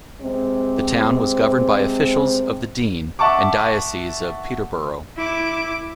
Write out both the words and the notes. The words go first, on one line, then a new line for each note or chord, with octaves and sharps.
The town was governed by officials of the dean and diocese of Peterborough.
C3 G#3 C4
E5 F#5 A5 C#6 D6
E4 D6